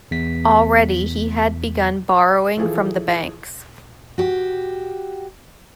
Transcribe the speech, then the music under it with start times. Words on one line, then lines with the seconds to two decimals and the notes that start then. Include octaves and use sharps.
Already he had begun borrowing from the banks.
0.11 E2 B6
2.57 E3 F3 G#4 A4
4.18 F#4 G4